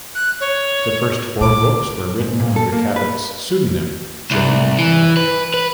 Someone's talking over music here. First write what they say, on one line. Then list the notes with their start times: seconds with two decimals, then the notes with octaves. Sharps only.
The first four books were written under Cabot's pseudonym, Jenny Carroll.
0.15 F#6
0.41 C#5
1.41 A#2 D6
2.20 G#2
2.40 A#2
2.56 A4
2.72 A#3
2.96 B4
4.31 C2
4.78 E3
5.17 B4
5.54 B4